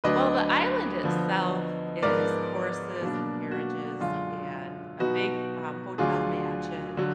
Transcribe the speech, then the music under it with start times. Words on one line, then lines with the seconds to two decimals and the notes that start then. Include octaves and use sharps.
Well, the island itself is horses and carriages and a big, um, hotel mansion
0.04 D2 D3 F#3 D4 B4 D#5
1.04 D3 F3 B3
2.03 G#2 F3 B3 A#4 D5
3.01 B2 F#3 A#3 D4
3.51 F#4
4.01 F#2 D3 G#3 F4
4.99 B2 F#3 B3 D#4 F#4
5.98 D2 D3 F#3 D4 F4 G#4
6.97 D3 F#3